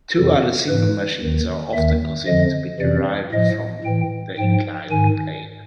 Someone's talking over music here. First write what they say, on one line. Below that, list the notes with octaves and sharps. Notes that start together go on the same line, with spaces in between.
Two other simple machines are often considered to be derived from the inclined plane.
F2 C3 E3 A4
G#2 E3 B4
D#2 D#3
D#2 D#3 E5
F2 D3 F3 D#5
F2 C3 E3 D5
A2 F3 D#5
A2 E3 G5
G#2 F3 G5
G#2 D#3 G#5